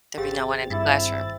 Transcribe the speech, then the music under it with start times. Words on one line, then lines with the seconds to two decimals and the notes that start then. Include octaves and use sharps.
there'll be no one in the classroom.
0.17 G#1 C4 G4 G#4 F5 A6
0.70 G2 E4